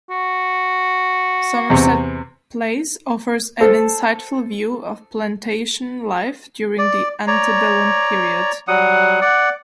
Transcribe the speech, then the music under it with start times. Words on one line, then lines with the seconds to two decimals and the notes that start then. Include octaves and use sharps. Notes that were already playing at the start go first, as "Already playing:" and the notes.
Somerset Place offers an insightful view of plantation life during the antebellum period.
0.10 F#4
1.70 E2 C3
3.60 A4 C5 A5
6.78 D5
7.27 C#5 D5 A#5
8.68 F#3 G3 F#5 D#6
9.21 D5 F#5